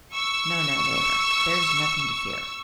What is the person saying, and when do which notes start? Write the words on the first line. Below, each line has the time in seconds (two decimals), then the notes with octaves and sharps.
No, no, neighbor, there's nothing to fear!
0.14 C#6 E6